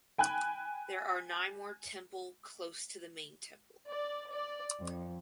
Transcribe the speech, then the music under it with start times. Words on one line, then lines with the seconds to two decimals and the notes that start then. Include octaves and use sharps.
There are nine more temple close to the main temple.
0.18 G5 G#5 B5 F#6
3.87 D5
4.32 D5
4.79 F2